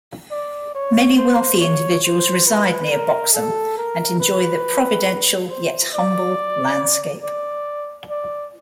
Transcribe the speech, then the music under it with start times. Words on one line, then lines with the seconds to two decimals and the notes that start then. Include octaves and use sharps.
Many wealthy individuals reside near Boxholm, and enjoy the providential, yet humble landscape.
0.31 D5
0.75 C#5
1.17 C5
1.60 C#5
2.05 C5
2.47 B4
2.91 A#4
3.34 A4
3.77 A#4
4.20 B4
5.50 C5
5.94 D5
7.23 D5
8.10 D5